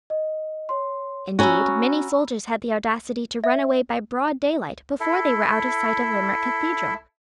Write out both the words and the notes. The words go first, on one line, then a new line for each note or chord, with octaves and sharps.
Indeed, many soldiers had the audacity to run away by broad daylight before they were out of sight of Limerick Cathedral.
D#5
C#5 C6
C#4 F#4 A#5 B5 E6
E5
E4 A4 E5